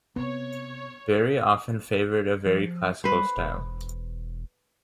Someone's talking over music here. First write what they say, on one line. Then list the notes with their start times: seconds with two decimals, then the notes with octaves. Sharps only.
Barry often favoured a very classical style.
0.16 C3 B3 C#5
2.46 F3
3.04 G3 B4 C5
3.37 E1